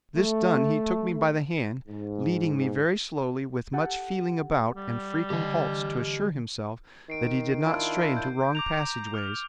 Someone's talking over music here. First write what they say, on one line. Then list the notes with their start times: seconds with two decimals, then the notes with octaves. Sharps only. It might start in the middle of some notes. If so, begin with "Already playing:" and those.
This done he took me by the hand, leading me very slowly, with much feeling about and frequent halts to assure himself that he did not stray into wrong passageways.
0.16 A3
1.88 G#2
3.73 G4 A4 F#5
4.76 G3
5.30 D3 G4 D#5
7.10 D#3 C7 D7
7.64 D4 E4 F4
8.17 G6
8.55 A#5 D6 G6 F7
9.14 F6